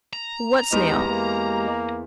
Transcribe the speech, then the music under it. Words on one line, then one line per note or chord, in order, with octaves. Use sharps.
"What snail?"
A#5
E2 G#3 D#4 G4
A#3